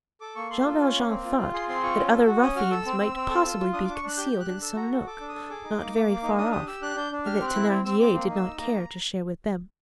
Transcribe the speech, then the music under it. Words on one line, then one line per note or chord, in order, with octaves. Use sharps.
Jean Valjean thought that other ruffians might possibly be concealed in some nook, not very far off, and that Thenardier did not care to share with them.
A4 D6
A#3 C#6
A4 C6
F4
C#4
A#3
C4
F4
F4
G#4 C6
C4 C6
F4 C#6
C#4
A4
F#4
C#4 D#6
F#4 F6
A4 E6
C4
C4
C4
A4
F4
F4
D4 D#6
D4 D6
C#6
D4 F#6
G4 G6
G4
F#6
D4
A4 E6
F#4 A#5
A4
A4 D6
D4
D#6
A4
G#4 D6
D#4
A#3
A#3
A#3
D#4
D4 D#6
G4 D#6
G4 E6
D4 F#6
D4 G6
D4
G4 F6
C4
F#6
E4
C4
C4 E6
C4 D6
A#3
D#4
E6
D#4
A#3 A#5
A#3